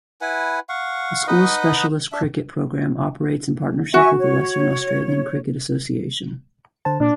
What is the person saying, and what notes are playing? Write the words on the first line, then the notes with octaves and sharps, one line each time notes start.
The school's specialist cricket program operates in partnership with the Western Australian Cricket Association.
E4 B4 F#5 G#5
F5 F#5 C#6
D#4 B4 D#5 F#5
D4 E5
F#4 E5 G#5 C#6
C#5
D3 C5 A5
A#2 D4